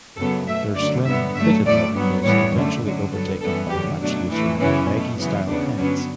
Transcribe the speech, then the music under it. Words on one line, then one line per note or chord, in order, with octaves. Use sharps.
Their slim, fitted look was eventually overtaken by much looser, baggy-style pants.
F#2 C#3 F#3 B3 A4
B2 A3 E5
F#2 D3 F#3 A3 D5
G2 D3 F#3 B3 E5
G2 F#3 A3 E5
A2 F#3 A3 D5
G2 F#3 B3
A2 E3 G3 B3 C#5
F#2 D3 A3
F#2 D3 F#3
G2 F#3 B3 A4
F#2 E3 G3 B3 A4
F#2 D3 F#3 G4
B2 F#3 A3 D4
A2 E3 A3
F#2 C#3 E3 B3 C#4
B2
A3
F#2 C#3 E3 B3
E2 C#3 G3 B3 D4
G2 D3 F#3 B3 C#4